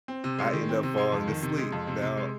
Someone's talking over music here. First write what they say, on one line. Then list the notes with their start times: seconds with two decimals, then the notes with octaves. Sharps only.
I end up falling asleep. Now,
0.08 C4
0.24 C3
0.39 G#3
0.53 D#3
0.69 C4
0.83 C3
0.98 G#3
1.12 F2
1.28 D#3
1.42 C3
1.58 G#3
1.72 F2
1.87 C3
2.02 C3
2.17 G#3